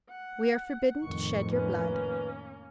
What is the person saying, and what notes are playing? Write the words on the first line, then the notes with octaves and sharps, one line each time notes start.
"We are forbidden to shed your blood."
F#5
F2 A2 D#3 C#6
A#3 C#4 B4